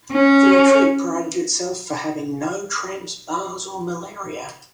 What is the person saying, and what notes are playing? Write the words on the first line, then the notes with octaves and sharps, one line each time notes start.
The retreat prided itself for having no tramps, bars, or malaria.
C#4